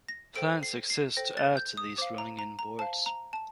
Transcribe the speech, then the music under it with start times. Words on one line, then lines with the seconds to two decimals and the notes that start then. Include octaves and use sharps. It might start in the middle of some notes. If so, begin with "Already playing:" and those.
Plans exist to add to these running-in boards.
0.09 A#6
0.36 A4 C5 G5 D7
0.63 C7
0.90 C7
1.17 A4 C5 G5 A#6
1.37 A6
1.57 G6
1.77 D#6
1.98 C5 F5 D6
2.18 A#5
2.39 A#5
2.59 A#5
2.79 C5 F5 A5
3.06 A#5
3.33 A5